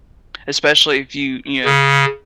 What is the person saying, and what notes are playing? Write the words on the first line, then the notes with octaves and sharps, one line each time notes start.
Especially if you, you know
C#3